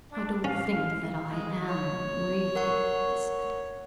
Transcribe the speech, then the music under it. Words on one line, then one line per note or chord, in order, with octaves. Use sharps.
"I don't think that I am, really," he said.
D4
C#4 F5
G#3
C#5
A#4 F#5 C#6